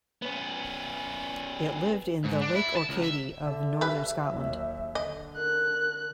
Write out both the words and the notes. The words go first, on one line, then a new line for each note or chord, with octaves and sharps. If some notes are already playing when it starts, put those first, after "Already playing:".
It lived in the Lake Orcadie of northern Scotland.
B3 C#4
G#2
D4
E4
A5
C#2
E5
D3 E5
G3 B4
D#2 F#3
D3 D#5
A#4 F#6